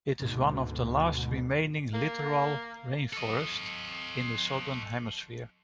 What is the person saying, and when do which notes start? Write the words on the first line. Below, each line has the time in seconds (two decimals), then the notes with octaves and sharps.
It is one of the last remaining littoral rainforests in the Southern Hemisphere.
0.19 D2 G#2 B2
1.94 A#3
3.13 A4 D#5